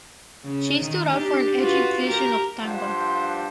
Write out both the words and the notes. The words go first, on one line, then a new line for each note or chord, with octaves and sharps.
She stood out for an edgy vision of tango.
C#3
D#3
D4 G4
F4 F#4 B4
G4 A#4
G2 F3 D4 F4 C5 F#5